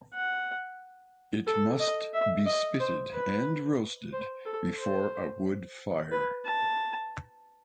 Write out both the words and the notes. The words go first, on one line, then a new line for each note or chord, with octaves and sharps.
It must be spitted and roasted before a wood fire.
F#5
A4
D#5
E5
D#5
C5
B4
C5
A4
C5
B4
A5